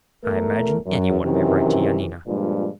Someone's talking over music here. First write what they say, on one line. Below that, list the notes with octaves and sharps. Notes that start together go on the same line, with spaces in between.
"I imagine any one may write to Yanina."
E2 A3 A#4
F#2
F#2 C3 D#3 E3
G2 A#2 F3 G#3